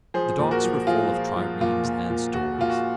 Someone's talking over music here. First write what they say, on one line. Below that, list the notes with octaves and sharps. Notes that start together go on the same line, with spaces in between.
The docks were full of triremes and stores.
F3 G#4 C5
A#2
F#4 A#4
F3
F3 F4 G#4
F3
F3
A#2 F4
A#2
A#2
A#2 F#4
A#2 F4
F#4